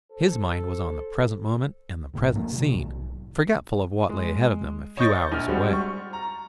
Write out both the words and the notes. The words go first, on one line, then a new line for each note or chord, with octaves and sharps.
His mind was on the present moment and the present scene, forgetful of what lay ahead of them, a few hours away.
A4 C5
F#1 C2 A2
F3 A3 A#3
G#2 C3
B1
G#3
C#5 D#5 C#6 G6 A6
A#1 F6
G3 G#3 C4 F#4 G4
C#6
A#5